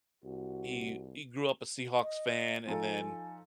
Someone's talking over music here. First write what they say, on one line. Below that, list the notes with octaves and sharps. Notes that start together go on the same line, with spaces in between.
he he grew up a Seahawks fan and then,
C2 F#4
D#5
F3 D#4 A4 G#5